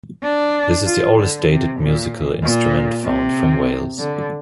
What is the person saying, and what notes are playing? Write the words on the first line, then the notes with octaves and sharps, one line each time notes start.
This is the oldest dated musical instrument found from Wales.
D4
F4
D3
C3
A#2
A#2
C3
D3